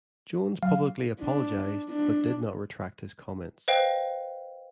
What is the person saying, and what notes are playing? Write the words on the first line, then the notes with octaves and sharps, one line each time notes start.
Jones publicly apologized, but did not retract his comments.
F#3 F5
D4
D4
B4 C5 D#5 F5 G5